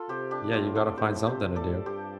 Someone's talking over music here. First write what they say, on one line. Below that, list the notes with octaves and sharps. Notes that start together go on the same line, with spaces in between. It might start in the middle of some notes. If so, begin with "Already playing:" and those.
Yeah, you gotta find something to do.
Already playing: F4 A4
C3 G4 C5
D4 G4
A2 C4 F4
F4 A4
A2 G4 C5
C3 G4 C5
A2 A4 D5
G2 G4 C5